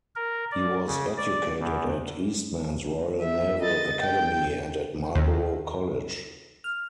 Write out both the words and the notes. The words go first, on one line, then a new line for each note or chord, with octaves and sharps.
He was educated at Eastman's Royal Naval Academy and at Marlborough College.
A#4
D5
C#3
D5
E2
E5
D#5 A6
G5
D#2
F6